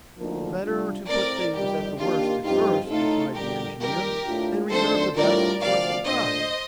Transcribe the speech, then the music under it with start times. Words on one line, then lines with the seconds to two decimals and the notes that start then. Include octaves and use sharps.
"Better to put things at the worst at first," replied the engineer, "and reserve the best for a surprise."
0.18 D2 D3 F3 A#3 D#4
0.63 C3 G3 D4 F4
1.08 A2 A3 C4 A#4 D5
1.54 F2 C3 D#3 G3 G4
1.99 D#3 A#3 D4 F4 G4
2.43 G2 F3 C4 D#4 F4 G4
2.89 A2 A3 D#4 F4 A4
3.34 F2 D3 G3 G4 A#4
3.80 F2 D#3 G3 A#3 D#4 G4 A#4
4.25 A2 A3 D4 F4
4.70 F2 D#3 A3 D4 A4 C5
5.15 A2 G3 D4 F4 A#4 D5
5.61 D2 C3 F3 C4 D5 F5
6.05 A#2 A3 D4 C5 D#5